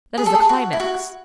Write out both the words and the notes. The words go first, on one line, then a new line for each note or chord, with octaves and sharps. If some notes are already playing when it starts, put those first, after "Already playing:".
That is the climax.
G#4
A4
G#4
F#4
E4
F#4